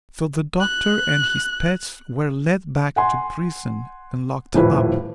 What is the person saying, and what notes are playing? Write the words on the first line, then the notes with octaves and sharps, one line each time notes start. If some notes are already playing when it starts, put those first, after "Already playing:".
So the Doctor and his pets were led back to prison and locked up.
F#6
F#5 G#5 C6
D#1 F2 A2 B4